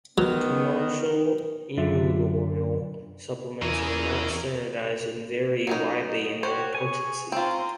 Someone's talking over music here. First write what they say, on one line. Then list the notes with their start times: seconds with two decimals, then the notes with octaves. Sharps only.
Commercial emu oil supplements are not standardized and vary widely in their potency.
0.18 D#3 F#3 B3
1.77 F#2 D3 F4 E5
3.62 E2 C#3 G#4 A#4
5.67 F#3 C#4 D#4 D#5
6.43 F#4 G4 C5 C#5
6.75 G#4 G#5 C#6
7.32 C4 F4 A#5 C6